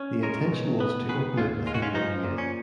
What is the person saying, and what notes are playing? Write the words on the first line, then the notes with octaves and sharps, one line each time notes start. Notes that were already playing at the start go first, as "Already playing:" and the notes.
The intention was to open it within one year.
Already playing: C#4
G#3 A#4 C#5
B2
B3
D#3 G#4 B4
D#2 C#4 F4
G#3 F4
F#4
C#4 F4
F3 D#4
A#2
C#4